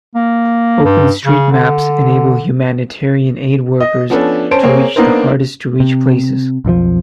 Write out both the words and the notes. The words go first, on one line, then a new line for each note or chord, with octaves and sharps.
Open street maps enable humanitarian aid workers to reach the hardest to reach places.
A#3
G2
C#3
D3
D#5
F3 B3 C#4 D4 A4
C#4 C5 A5 D7
A#3 C4 G#4 C5 C#5
A#3 B3 D4 D#4 A#4 C5
C3
B1 F2 D#3 F3